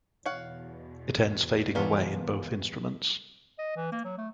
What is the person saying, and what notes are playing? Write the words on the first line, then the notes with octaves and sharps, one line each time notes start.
It ends fading away in both instruments.
E2 B2 C#5 F5 F#5
E3 G3 G#3 A#3 B3 C#4 F4 A4
D#5
E3
A#3
F#3
A3